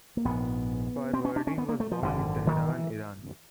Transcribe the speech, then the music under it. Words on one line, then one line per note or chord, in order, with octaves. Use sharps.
Farvardin was born in Tehran, Iran.
A#3
A#1 G#2 B3
C4
C#4
D4
C#4
B3
A#3
A3
F3
G#1 F#2 D3
D#3
E3